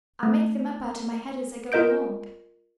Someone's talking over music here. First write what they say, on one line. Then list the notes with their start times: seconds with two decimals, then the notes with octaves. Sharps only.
"I make them up out of my head as I go along."
0.23 A3
1.72 F4 A#4 D#5 G6 D7